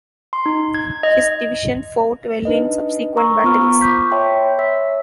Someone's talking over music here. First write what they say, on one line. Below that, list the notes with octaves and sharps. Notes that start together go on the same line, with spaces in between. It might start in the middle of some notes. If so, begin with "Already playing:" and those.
His division fought well in subsequent battles.
C6
D#4
G#6
D#5
D4 D#4 B4 D#5
A#4 A#5 C#6 E6
B3 F4 C5 B5 C#6 F6
B5 C#6 D6 G6 B6
C#5 E5 G5 A5 C6
C#5 E5 E6 B6